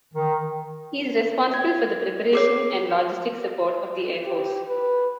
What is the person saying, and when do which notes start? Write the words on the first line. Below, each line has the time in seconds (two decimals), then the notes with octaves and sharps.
He is responsible for the preparation and logistic support of the air force.
0.14 D#3
1.54 G#6
2.33 G#4 A#4 C#5 D6 C7
4.24 G4
4.67 B4